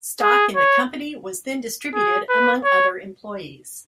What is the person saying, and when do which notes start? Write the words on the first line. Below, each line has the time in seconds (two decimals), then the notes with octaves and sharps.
Stock in the company was then distributed among other employees.
0.22 G#4
0.56 C#5
1.95 G#4
2.30 B4
2.64 C#5